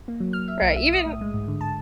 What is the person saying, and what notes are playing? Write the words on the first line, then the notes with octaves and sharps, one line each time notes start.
Right, even
A#3
F#3
F6
E5
B1
E5
D#6
A2
G#3
G#2
D3
A5